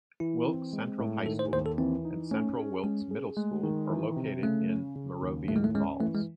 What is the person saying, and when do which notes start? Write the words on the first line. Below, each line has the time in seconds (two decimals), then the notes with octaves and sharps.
Wilkes Central High School, and Central Wilkes Middle School, are located in Moravian Falls.
0.20 E3 E4
0.47 C4
0.73 G#3
0.99 A2
1.26 D#3 A4
1.39 C5
1.52 D#2 C5
1.66 A4
1.78 E3 C4
2.05 D#4
2.31 A3 C#4
2.58 G#4
2.84 G#3 C#4
3.11 G#4
3.37 G#3 A3
3.63 D#3
3.90 E3
4.16 C3
4.43 C#3 A3
4.69 C#4
4.96 C#3
5.22 D#2
5.48 A2 A3
5.56 G#3
5.64 A3
5.74 G#3 C#4
6.01 E3 A3
6.15 G#3